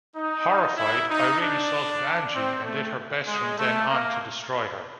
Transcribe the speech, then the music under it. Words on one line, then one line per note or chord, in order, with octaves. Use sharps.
Horrified, Irene assaulted Angie and did her best from then on to destroy her.
D#4
E4
D#4
D4
C4
A3
G#3
A3
A#3